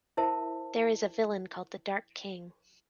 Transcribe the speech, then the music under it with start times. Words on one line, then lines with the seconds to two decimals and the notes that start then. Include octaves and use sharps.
There is a villain called the Dark King.
0.17 E4 A#4 C5 E5 A5